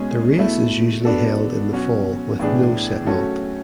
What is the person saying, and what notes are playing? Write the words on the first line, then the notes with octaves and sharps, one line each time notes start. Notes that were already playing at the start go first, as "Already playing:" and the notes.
The race is usually held in the fall with no set month.
Already playing: B2 G#3 C#4 G#4
B2 A3 E4
B3 D4 F#4 A4
B2 F#3 C#4 F#4
A2 E3 B3 D4 G#4
F#3 A3 C#4 F#4 A4